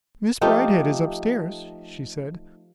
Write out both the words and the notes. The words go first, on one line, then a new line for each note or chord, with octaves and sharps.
"Miss Bridehead is up-stairs," she said.
F3 A3 D#4 G4